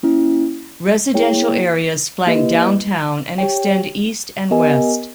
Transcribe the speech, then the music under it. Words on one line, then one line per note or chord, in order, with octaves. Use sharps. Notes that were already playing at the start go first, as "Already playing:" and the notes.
Residential areas flank downtown and extend east and west.
A#3 C#4 E4
A#3 E4 G#4 C#5 G5
A#3 E4 G4 B4 D#5
G4 C#5 G5
B3 G4 A#4 D#5 G#5